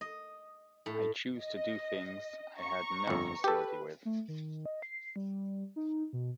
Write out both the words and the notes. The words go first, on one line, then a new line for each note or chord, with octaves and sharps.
I chose to do things I had no facility with.
D#5
A2
D#5
A#5 C#6
G1 F2
G4 A4 B4
A3
D#3
D#5
C7
G3
D#4
B2